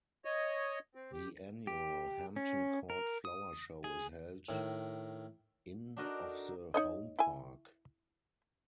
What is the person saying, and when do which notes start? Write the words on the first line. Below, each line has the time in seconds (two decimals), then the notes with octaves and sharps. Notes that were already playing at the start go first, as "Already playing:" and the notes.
The annual Hampton Court Flower Show is held in of the Home Park.
0.25 C#5 D#5
0.95 C4
1.13 G4
1.67 G4
2.36 C#4
2.90 A#4
3.25 D#6
3.84 G#4
4.49 A2 D#3
5.97 D4 D#4 F#4 A4 A#4 D#5
6.74 D#4 C#5 D#5
7.19 E4 G#5